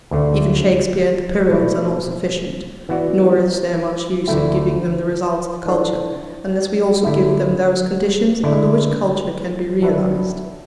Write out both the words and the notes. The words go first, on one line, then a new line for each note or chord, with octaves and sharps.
Even Shakespeare and the Pyramids are not sufficient; nor is there much use in giving them the results of culture, unless we also give them those conditions under which culture can be realised.
D2 D3 A3
B2 A3 E4 D5
E3 B3 F#4 D5
D2 D3 A3 E4
E3 D4 A4
D3 A3 E4
D3 A3 E4 D5
F#3 D4 B4 E5